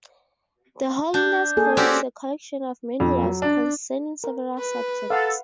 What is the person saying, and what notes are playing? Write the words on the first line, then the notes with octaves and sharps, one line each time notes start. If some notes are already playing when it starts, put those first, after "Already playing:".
The Holiness Code is a collection of many laws concerning several subjects.
D4 G6
A#3 G#4 A4
C4 C#4 F#4 G4 D5 G5
F2
F#3
D4
A#4
B4
A4 F5 F#5